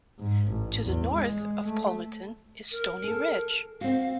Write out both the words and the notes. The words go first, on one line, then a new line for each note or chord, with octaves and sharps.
To the north of Palmerton is Stony Ridge.
G#2
A1
E2
G#3
A3
A#4
G#4 A4
C4 F#4 F5